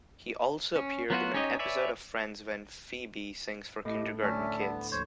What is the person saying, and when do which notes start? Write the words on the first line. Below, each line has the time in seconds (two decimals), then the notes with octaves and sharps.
He also appeared in an episode of Friends when Phoebe sings for kindergarten kids.
0.76 C#4
1.10 F#3 B3 F4 F#4
1.34 C#4 D#4 G4 C#5 D#5
1.59 B4 C#5 D5 E5 G#5
3.85 A2 E4 G4 D#5
4.23 D2 C#4 D5 E5 A5
4.60 B3
4.92 D#2 B2 F3 C5 C#5